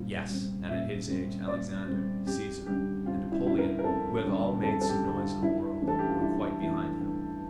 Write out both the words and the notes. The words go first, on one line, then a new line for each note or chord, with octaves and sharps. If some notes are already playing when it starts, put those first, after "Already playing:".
"Yes, and at his age, Alexander, Caesar, and Napoleon, who have all made some noise in the world, were quite behind him."
Already playing: A#2 G3 C4
G3 C4
A#2 E5
G3 C4
A#2 D5
G3 C4
F2 G4
D3 G3 G4
F2 F4
E4
D3 G3 E4
A#4
A#4
F2 A4
D3 G3
F2 A4
A4
G4
D3 G3
F4
G2 E4
E3 A3 D4
A4
G4
F4
G2 E4
E3 A3 D4
G2